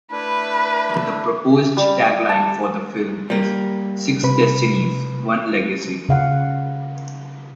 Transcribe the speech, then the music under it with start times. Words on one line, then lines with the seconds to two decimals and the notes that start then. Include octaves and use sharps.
The proposed tagline for the film is "Six Destinies - One Legacy".
0.11 A3 D4 E4 B4
1.77 G3
2.29 A5
3.30 G3 A#3
4.23 C3 B4 B5
6.09 C#3 F5 F#5